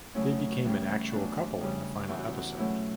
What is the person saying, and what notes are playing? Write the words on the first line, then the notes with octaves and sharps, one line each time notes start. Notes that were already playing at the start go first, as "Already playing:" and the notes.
They became an actual couple in the final episode.
C#3 F#3 A3 C#4 E4
C#3 E3 G3 C#4
F#2 E3 B3 D4
C#3 G3 C#4
E2 C#3 E3 E4
F#4
E4
B2 F#3 A3 C#4 E4